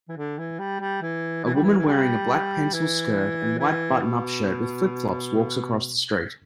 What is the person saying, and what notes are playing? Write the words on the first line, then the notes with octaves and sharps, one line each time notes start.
A woman wearing a black pencil skirt and white buttonup shirt with flipflops walks across the street.
E3
D3
E3
G3
G3
E3
E3
G3
E3
E3
G3
E3
E3
B2